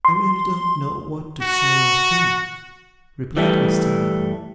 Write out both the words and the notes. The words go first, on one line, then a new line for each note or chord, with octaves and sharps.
I really don't know what to say or think,' replied Mr Abel.
C6
F#4
E3 G3 A3